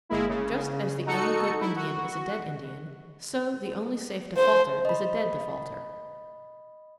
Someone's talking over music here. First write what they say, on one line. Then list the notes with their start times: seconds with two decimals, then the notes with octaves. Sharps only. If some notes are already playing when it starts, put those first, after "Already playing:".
Just as the only good Indian is a dead Indian, so the only safe defaulter is a dead defaulter.
0.09 G1 G#3 A#3 E4
0.29 C#3
1.06 D#4 F#4 A4 C#7
1.61 E4
1.76 F#4
4.37 C5
4.85 D#5 B5